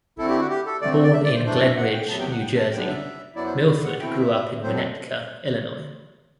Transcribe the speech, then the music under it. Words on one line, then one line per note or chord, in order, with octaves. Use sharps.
Born in Glen Ridge, New Jersey, Milford grew up in Winnetka, Illinois.
D3 A3 C4 E4 A4
G4
F#4
G4
A4
D3 A3 C4 D5
D5
E5
D5
C5
F#2 E3 A3 D4 C5
D5
E5
F#5
G5
E2 C3 F#3 B3 A5
G5
F#5
G5
A5
F#2 F#3 B3 D4 G5
E5
F#2 F#3 B3 E4 D5
C5
C5
D5
F#5
B2 A3 C4 E4 G5
G5
E5
F#2 F#3 C4 C5
A4